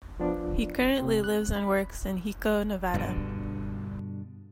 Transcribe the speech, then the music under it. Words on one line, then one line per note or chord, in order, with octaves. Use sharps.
He currently lives and works in Hiko, Nevada.
F3 B3 D4
C3 C4
F#6
B5
G2 B2 D3